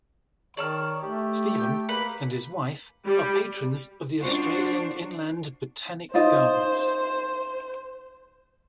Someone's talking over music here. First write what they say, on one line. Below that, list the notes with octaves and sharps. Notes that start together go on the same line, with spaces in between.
Stephen and his wife are patrons of the Australian Inland Botanic Gardens.
D#3 C#5 D5 A5 F6
A3 G4
G5
G4
A#3 B4 D5
G3
D4 F4 F#4 C5
D#4 F4 C5 D#5